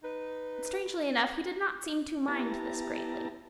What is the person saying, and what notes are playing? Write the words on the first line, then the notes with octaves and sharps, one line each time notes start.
But strangely enough, he did not seem to mind this greatly.
D#4 B4
B3 E4 G4 A5 A#5